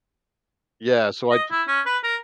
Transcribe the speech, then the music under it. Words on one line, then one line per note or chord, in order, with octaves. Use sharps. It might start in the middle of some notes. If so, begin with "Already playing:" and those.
yeah, so, I t
D#5
E4
C#4
B4
A#4